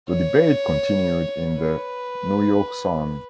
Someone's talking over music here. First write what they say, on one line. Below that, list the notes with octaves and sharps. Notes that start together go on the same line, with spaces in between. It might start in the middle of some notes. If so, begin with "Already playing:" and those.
The debate continued in the "New York Sun".
C#5
B4